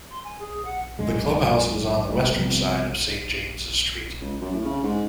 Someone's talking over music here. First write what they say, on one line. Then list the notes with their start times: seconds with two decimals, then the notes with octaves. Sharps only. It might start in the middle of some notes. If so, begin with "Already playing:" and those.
The clubhouse was on the western side of Saint James's Street.
0.10 C6
0.23 G#5
0.39 G#4
0.64 F#5
0.99 F#2 D3 G#3
2.10 G3 A3
2.36 C3 F3 G3 B3
4.21 C#2
4.41 F#2
4.54 A2
4.65 C#3
4.83 G#2